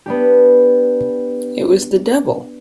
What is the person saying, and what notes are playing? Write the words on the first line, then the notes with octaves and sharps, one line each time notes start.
It was the devil!
B3 D4 G4